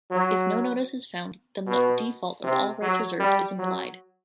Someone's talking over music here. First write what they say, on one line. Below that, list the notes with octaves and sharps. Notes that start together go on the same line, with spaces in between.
If no notice is found, then the default of "All rights reserved" is implied.
F#3
B2
C3
F#3
G3
F#3